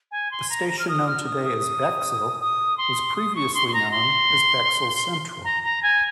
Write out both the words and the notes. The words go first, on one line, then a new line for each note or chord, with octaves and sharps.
The station known today as Bexhill was previously known as Bexhill Central.
G#5
C6
A#5
A#5
F6
D#6
F6
D#6
D#6
D#6
C6
D#6
C#6
C6
C6
A#5
C6
A#5
A#5
G#5